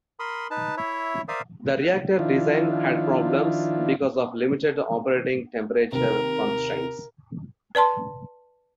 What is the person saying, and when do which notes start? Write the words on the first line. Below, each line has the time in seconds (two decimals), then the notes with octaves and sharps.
The reactor design had problems because of limited operating temperature constraints.
0.20 A#4 B5 C6 D#6
0.51 D#4 B4 A5
0.77 E4 C#5 E5
1.28 A#4 C5 D5 E5 F5 D#6
2.19 D#3 F3 D4 E4 F4
5.92 D#2 C3 A#4
7.75 B4 D5 A5 C6